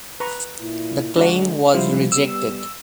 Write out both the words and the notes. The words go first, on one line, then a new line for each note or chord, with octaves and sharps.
The claim was rejected.
B4 A#5 C#6
A#2 E4
D3 G#3 D4 F#4
F3 G3 G#3 C4 D4 E4 C5 F5
G3 B3 E6